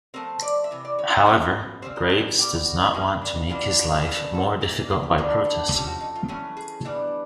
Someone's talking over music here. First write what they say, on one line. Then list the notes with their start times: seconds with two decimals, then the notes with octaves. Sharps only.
However, Graves does not want to make his life more difficult by protesting.
0.14 F3 A3 C4 A#4
0.42 D5
0.64 E5
0.71 C3 E3
0.85 D5
0.99 C#5
1.12 C#5
1.26 B2 G#3 C#4 C5
1.82 C#3 E3 G3 C4 C5
1.96 A#4
2.10 A4
2.38 A#2 G3 B3 G4
2.65 F#4
2.84 E4
2.94 D#3 G3 A#3 C#4 F4
3.07 E4
3.21 D4
3.35 D#4
3.49 C#3 E3 G#3 B3 D4 F4
3.64 F#4
3.78 F#4
3.92 G4
4.05 C#3 E3 A3 D4 G#4
4.34 A4
4.61 C3 E3 G3 A#3 A#4
4.76 G#4
4.90 G#4
5.03 G4
5.18 D3 G3 A#3 D4 G#4
5.45 A4
5.74 C3 F3 A3 C#4 G4
5.87 F#4
6.01 D#4
6.15 F4
6.28 E3 A3 C#4 F#4
6.57 G#4
6.85 E3 G3 B3 D4